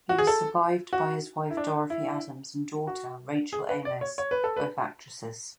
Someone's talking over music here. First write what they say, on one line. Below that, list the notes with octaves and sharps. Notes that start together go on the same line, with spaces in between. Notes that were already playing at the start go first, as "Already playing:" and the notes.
He was survived by his wife Dorothy Adams and daughter, Rachel Ames, both actresses.
F#4
G#4
A4
F#4
E4
D4
E4
F#4
G#4
B4
D5
C#5
C#5
B4
A4
B4